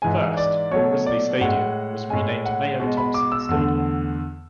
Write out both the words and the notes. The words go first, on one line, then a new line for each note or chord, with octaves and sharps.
First, Grizzly Stadium was renamed Mayo-Thompson Stadium.
G#2 E3 G#3 G#5
D5
B2 F#3 A3 C#5
D5
A2 G#3 F#5
A2 G#3 G#5
F#5
B2 G#3
B5
D6
E6
E2 D3 A3